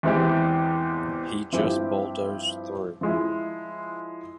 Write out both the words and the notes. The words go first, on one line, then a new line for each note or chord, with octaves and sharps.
He just bulldozed through.
E2 E3 G#3 C4 G4
G2 F3 C4 E4 G4
F3 G#3 E4